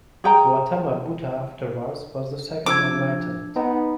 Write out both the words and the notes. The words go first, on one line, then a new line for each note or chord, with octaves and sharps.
Gautama Buddha afterwards was the second enlightened.
G#4 G5 A#5
F3 D4 A5 D6 E6 G#6
B3 D#4 B4